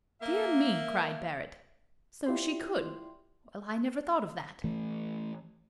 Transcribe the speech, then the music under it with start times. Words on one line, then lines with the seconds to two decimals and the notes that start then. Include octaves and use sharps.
"Dear me," cried Barrett, "so she could; well, I never thought of that."
0.22 A#3 E5
2.26 E4 F4 G4 D5 C6
4.64 E3 A3